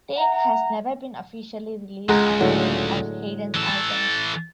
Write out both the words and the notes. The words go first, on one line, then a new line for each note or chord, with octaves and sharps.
"Take" has never been officially released on any of Hayden's albums.
E5 F#5 A#5
C#2 G#3 F#5 A#5
A2 D3 F#3
E3 A4